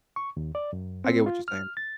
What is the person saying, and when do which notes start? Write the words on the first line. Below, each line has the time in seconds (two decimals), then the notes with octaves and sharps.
I get what you're saying.
0.16 C#6
0.37 D#2
0.55 D5
0.73 F#2
1.05 C4
1.26 F4
1.48 F6
1.77 A6